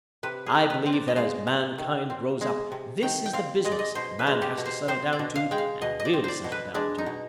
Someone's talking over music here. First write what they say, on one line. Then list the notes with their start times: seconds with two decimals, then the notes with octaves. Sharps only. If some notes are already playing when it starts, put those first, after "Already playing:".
"I believe that as Mankind grows up this is the business Man has to settle down to and will settle down to."
0.23 C3 B4
0.46 G#4
0.55 D#3
0.70 B4
0.86 C4
0.93 D5
1.08 D#5
1.16 G#3 F5
1.47 C3
1.78 D#3
2.10 C4
2.41 G#3
2.72 C3
3.02 D#3 G5
3.26 G5
3.33 C4 F5
3.65 G#3 D#5
3.72 D5
3.79 D#5
3.95 B2 C5
4.19 B4
4.27 G#3
4.42 G4
4.58 B2
4.66 C5
4.88 C4 C5
5.13 D5
5.19 B2
5.36 F5
5.51 G#3 G5
5.58 F5
5.82 B2 D#5
6.00 D#5
6.05 D5
6.13 C4
6.24 C5 D5
6.44 B2
6.52 B4
6.74 G#3 D4
6.98 D#4
7.06 B2